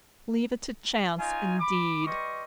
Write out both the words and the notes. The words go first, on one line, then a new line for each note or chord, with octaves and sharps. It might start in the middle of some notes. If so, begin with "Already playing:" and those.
Leave it to chance indeed!
C#4 D#4 F4 G#5
B5 D6
G3 B4 D#5 C6 C#6